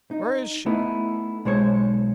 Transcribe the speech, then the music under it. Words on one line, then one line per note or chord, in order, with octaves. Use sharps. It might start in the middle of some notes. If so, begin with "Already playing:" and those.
"Where is she?"
D#4
A3 B3 D#4 E4
B1 G#3 C5 C#5